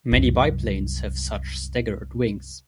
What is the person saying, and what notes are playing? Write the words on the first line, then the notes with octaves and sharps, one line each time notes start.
Many biplanes have such staggered wings.
C2 F#2